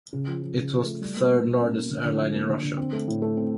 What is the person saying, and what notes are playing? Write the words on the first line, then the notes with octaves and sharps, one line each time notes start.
It was the third largest airline in Russia.
C#3
F3
F3
C#3
F3
A3
G3
A#3
A#3
B2
C#4
A#3
D3
D3
F3
A#3
D3
D3
C4
A3
A2
A3
C4